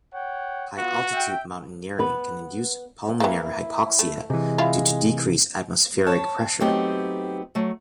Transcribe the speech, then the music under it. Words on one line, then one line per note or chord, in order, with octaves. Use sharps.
High-altitude mountaineering can induce pulmonary hypoxia due to decreased atmospheric pressure.
C#5 F#5 G5
B3 F4 F#4 B4
E5 G5
B3 B4
E3 A#3 E4
A3
C3 E3 G#3
E4 F4 F5
C#5 A5
F#3 A3 B3 C4 D#4 G4
F#3 A3